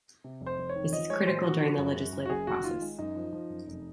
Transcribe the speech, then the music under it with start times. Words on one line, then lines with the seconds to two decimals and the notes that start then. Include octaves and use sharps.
This is critical during the legislative process.
0.24 C3
0.41 F1
0.46 C5
0.58 F1
0.69 C#5
0.75 D#3
0.93 F3 D#5
1.10 G#3 C#5
1.27 A#2 C5
1.44 F3 F#4
1.61 F3
1.78 F#2
1.96 F#2
2.13 F#2
2.26 F#4
2.30 F#1 G#4
2.47 F#1 F#4
2.64 D#3 F4
2.81 G#3
2.99 F#2 D#4
3.15 F3
3.33 F3
3.50 F#2
3.67 F1